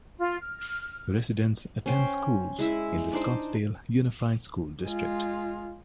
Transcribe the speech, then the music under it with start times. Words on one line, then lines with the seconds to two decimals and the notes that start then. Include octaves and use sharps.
Residents attend schools in the Scottsdale Unified School District.
0.18 F4
0.40 F6
1.86 C#4 C5 G5
2.59 G#3 E4 E5
3.13 D4 D#4 C5 D6
4.83 G#3 F4